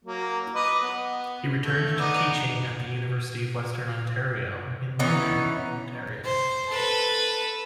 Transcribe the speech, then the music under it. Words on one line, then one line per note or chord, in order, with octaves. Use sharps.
He returned to teaching at the University of Western Ontario, in London, Ontario.
F#3 A#3
B4 D#5 D6
B3
A3
B3 D#4 D5
E3 B3 C#4 D#4
C5
A4 B4